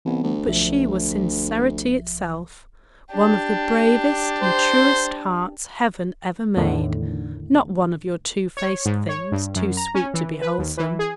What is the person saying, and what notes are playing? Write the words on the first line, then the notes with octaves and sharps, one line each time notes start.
But she was sincerity itself, one of the bravest and truest hearts heaven ever made, not one of your twofaced things, too sweet to be wholesome.
C2 E3 G3 B3
D2
B1 F3 E5
D4 G4
C5
E2 A2 D3 D#3
C#5
G#2
C#5
G2
F#2
A#5
C#4
E3
B4
D#2
E3
G#4